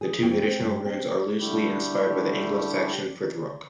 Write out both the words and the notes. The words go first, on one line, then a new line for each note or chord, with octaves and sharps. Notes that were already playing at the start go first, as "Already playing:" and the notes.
The two additional runes are loosely inspired by the Anglo-Saxon Futhorc.
G#4
F2
C4
G2
C4
D3 G3 A3 E4 G4